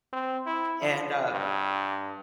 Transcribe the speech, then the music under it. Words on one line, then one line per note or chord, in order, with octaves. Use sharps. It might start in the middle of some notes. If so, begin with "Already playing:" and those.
and uh,
C4
E4
F3
G2